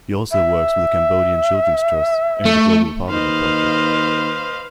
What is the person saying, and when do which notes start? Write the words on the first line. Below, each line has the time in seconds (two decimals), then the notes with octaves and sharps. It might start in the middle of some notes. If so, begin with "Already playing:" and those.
He also works with the Cambodian Children's Trust and the Global Poverty Project.
0.32 E5
2.45 A3
3.09 D#2 B4 C5 D#5 F5